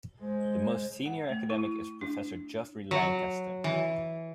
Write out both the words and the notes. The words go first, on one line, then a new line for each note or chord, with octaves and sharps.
The most senior academic is Professor Geoffrey Lancaster.
G#3 C5
F#5
A3
E4
D4
F#3
E3